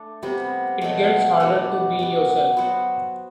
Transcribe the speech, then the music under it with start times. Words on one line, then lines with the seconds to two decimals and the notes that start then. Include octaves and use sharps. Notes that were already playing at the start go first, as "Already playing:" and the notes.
It gets harder to be yourself.
Already playing: A3 D4 A4
0.23 C3 G3 B3
0.81 B2 F#3 A3
1.40 B2 G3 D4 F#4
1.99 G3 B3 F#4
2.56 F#3 B3 F#4 C5